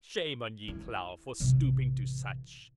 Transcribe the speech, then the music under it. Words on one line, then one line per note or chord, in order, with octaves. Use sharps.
Shame on ye, Klow, for stooping to such!
E4
A1 C3